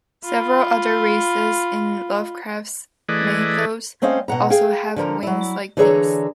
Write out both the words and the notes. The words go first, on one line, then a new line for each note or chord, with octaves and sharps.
Several other races in Lovecraft's Mythos also have wings like these.
F4 B5
E3 A3 G#4 B4 D5 D#5
A3 C4 C#4 C5 D#5 F5
B2 A3 F#5 A#5
G#4 F5 G5
D3 F3 A#4 A#5
F#3 E4
D3 E3 G#4 C#5 D#5 A#5